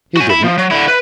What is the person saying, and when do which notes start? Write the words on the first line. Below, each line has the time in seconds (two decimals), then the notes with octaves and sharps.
He didn't.
0.17 F#4 G#5
0.30 E4
0.44 F3
0.58 F#3
0.71 D3 E4
0.88 B4